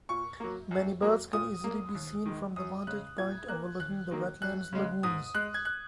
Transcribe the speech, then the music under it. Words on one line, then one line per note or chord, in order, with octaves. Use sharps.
Many birds can easily be seen from the vantage points overlooking the wetland's lagoons.
A#2 C#6
F#3 A#3
F#2
F#3 A#3
A#2 D#6
A#3
D#2
D#3 G#3
F#2 D#6
C#3 G#3 F#6
A#2 G#6
A#3 F#6
D#2 F#6
D#3 F#3 A#3
F#2 F#6
C#3 G#3
G#2 D#6
G#3 F#6
G#6
F#6